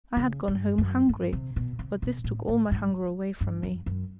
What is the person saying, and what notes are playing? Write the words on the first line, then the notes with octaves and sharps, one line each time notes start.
I had gone home hungry, but this took all my hunger away from me.
C#3
G2
F#2
G2
C3
B2
C3
B2
A2
A2
G#2
G2
F2
F#2